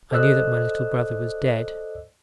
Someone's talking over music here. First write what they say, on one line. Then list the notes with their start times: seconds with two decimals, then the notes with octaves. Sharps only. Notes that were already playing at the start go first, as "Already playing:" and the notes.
I knew that my little brother was dead.
0.11 A4 C5 D5 D#5 E6 F#6